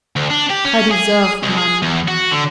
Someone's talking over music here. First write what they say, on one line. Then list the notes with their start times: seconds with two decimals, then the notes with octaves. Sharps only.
I deserved none.
0.16 D2
0.30 D4
0.50 G4
0.65 C#4
0.91 G#4
1.43 C2
1.58 G#4
1.82 E2
2.08 F#4
2.31 D3